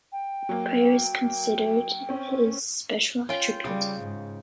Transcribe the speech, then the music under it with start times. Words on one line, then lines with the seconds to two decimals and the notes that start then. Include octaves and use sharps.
Prayer is considered his special attribute.
0.12 G5
0.49 F#3 A#3
2.09 C4 C#4
3.29 C#4 F4 C#5 G5 G#5
3.65 C#3 G3 F#5 B5
4.01 G#2